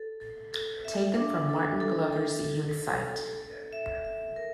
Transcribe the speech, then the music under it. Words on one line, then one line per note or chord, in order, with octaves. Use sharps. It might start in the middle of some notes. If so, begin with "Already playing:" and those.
Taken from Martin Glover's Youth site.
Already playing: A4
A4
A4
E5
D4
A4
A4
A4
A4
A4
A4
A4
E5
E5
A#4